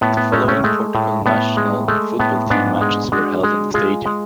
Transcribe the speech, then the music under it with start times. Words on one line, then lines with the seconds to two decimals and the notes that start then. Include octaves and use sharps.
The following Portugal national football team matches were held in the stadium.
0.01 A2 B3
0.17 B3
0.32 G#3 A3 C#4
0.48 A3 C#4
0.64 G#3 A3
0.95 A2
1.26 A2 B3
1.57 G#3
1.88 G#3 A3
2.19 A2 B3
2.50 G#2 B3 D4
2.81 G#3
3.12 G#3 D4 F#4
3.43 G#3
3.74 G#3 F4 G#4
4.06 G#3